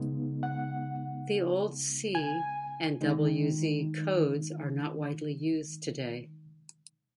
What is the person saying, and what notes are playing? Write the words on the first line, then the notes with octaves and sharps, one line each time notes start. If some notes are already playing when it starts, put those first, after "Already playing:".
The old C and W Z Codes are not widely used today.
Already playing: C#3 G#3 B3 D#4
F#5
G#5
D#3 G#3 D#4